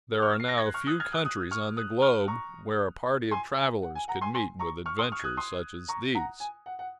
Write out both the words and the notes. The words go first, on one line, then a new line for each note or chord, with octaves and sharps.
There are now few countries on the globe where a party of travelers could meet with adventures such as these.
C#6 F6
C7
A#6
G#6
F#6
C#6 F6
D#6 F#6
F6 G#6
D#6 F#6
D#6 F#6
C#6 F6
D#6 F#6
C#6 F6
A#5 C#6
G#5 C6
G#5
F#5
G#5
F#5 A#5
G#5 C6
G#5 C6
A#5 C#6
C#6 F6
C6 D#6
C#6 F6
G#6
D#6 F#6
C6 D#6
A#5 C#6
F#5 A#5
G#5
F#5
F#5